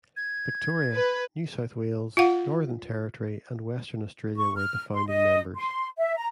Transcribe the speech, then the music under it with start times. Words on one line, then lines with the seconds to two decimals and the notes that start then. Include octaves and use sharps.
Victoria, New South Wales, Northern Territory and Western Australia were the founding members.
0.17 G#6
0.94 B4
2.17 F4 F5 F#5
4.37 C#6
4.56 F6
4.92 C6
5.07 D#5
5.54 C6
5.97 E5
6.17 A#5